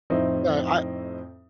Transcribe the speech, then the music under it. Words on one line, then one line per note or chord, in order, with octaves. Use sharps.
yeah, I
F2 A2 C4 D#4 E4